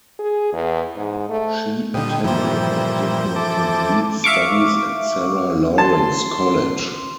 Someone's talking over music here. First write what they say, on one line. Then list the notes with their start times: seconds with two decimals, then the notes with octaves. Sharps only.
She attended but did not complete studies at Sarah Lawrence College.
0.19 G#4
0.53 E2
0.96 G#2
1.30 A3
1.94 A#2 D3 G3 D#5
2.24 G2 A#2 E3 F3 C5
3.36 E3 A4 D6
4.24 E5 F5 C#6 D6
5.78 A5 C6